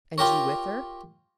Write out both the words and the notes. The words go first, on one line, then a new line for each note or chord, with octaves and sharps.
"And you with her?"
F4 G4 A#4 C#5